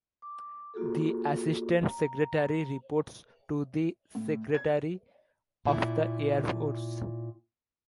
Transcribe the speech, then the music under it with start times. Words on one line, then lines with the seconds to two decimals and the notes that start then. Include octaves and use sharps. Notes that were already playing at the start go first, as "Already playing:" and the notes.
The assistant secretary reports to the secretary of the Air Force.
0.22 D6
0.74 A#3 F4 F#4 G#4 A4
1.86 A#5
4.15 A2
4.54 G#6
5.65 A#2 E4